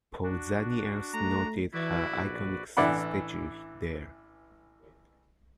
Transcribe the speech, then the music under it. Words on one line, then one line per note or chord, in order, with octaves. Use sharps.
Pausanias noted her iconic statue there.
D4 F#4
A3 A#5
E3 E4 F#4 B4 D5
A#1
A1 E3 D4 D5 F#5 B5